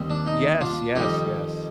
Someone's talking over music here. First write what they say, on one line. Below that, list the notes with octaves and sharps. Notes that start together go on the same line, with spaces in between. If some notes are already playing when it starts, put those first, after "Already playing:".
Yes, yes, yes.
Already playing: D#2 D#3 G3 C4
D4
D#4
D4 F4
F2 D#3 G3 D#4 G4